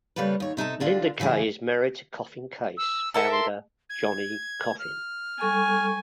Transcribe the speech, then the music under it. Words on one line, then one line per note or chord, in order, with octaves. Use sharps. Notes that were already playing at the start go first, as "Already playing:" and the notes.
Lynda Kay is married to Coffin Case founder Jonny Coffin.
C#3 G3 A#3 A4 B4
D#2 C#5
C3 D#4 A4 A5
D3 D4 F4
C#3 E3 E4 G#4
E6
A4 A#4 E5 C#7
C6
G#6
F6
G3 A4 G#5 C#6